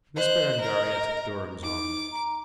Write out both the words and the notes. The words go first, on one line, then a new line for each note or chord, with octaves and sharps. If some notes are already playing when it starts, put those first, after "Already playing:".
Miss Berengaria took Durham's arm.
C5 D#5 F#6
A#4
D#4 D6
A#5